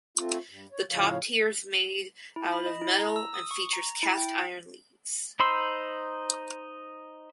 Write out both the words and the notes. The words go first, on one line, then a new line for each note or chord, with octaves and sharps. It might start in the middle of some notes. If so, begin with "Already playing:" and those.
The top tier is made out of metal and features cast iron leaves.
A3 C4 F4
G2
C#5
A2 C#3 F3 C#5 F5
E4
B5
D#5
E4
A#5
E6
D#6
C#6
A#5
E4
G5
D#4 C5 B5 C6 E6